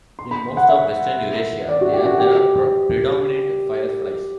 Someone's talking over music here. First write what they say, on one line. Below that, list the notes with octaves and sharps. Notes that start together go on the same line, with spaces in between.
In most of western Eurasia, they are the predominant fireflies.
C6
B5
F#5
E5
D5
F#4
G4
F#4
G4